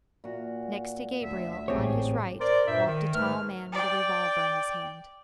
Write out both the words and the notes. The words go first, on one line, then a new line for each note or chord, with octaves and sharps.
Next to Gabriel, on his right, walked a tall man with a revolver in his hand.
A#2 F#4
D2 E5
A1 G#2 A3 C4 G4 G#4 C#5
A#4 C5 D5
G2 A#2 C5 E5
D#3
G#2 A3 B4 F6
D5 G5